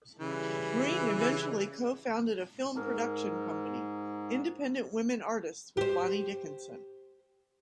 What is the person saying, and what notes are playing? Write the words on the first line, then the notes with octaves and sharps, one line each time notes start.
Green eventually co-founded a film production company, Independent Women Artists, with Bonnie Dickenson.
C#3 E3 G3
G#2 A#4 A#5 D6
G4 C5